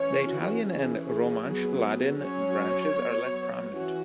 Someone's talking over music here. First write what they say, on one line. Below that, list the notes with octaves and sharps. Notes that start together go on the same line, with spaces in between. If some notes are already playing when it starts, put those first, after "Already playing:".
The Italian and Romansch-Ladin branches are less prominent.
Already playing: E3 C#4 C#5
F#4
E3 C#4 G#4
F#3 B3
F#3 C#4 C#5
F#3 B3
E3 C#4 F#4